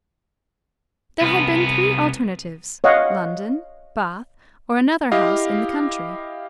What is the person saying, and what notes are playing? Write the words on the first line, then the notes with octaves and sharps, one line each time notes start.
There had been three alternatives, London, Bath, or another house in the country.
C2 B3
C#5 D#5 F5 F#5
E4 G4 D#5 F5